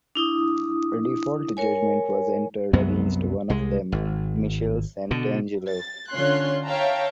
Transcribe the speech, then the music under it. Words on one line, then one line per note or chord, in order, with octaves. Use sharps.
A default judgment was entered against one of them, Michelle Santangelo.
D4 E4 D#6
A#4 C#5 G#5
C2 F#2 F#3 B3
C2 G#3
G#1
B2 D3
A6
D3 C#4 F4 C#5 C6 F#6
C#5 E5 F5 G5 A5 A#5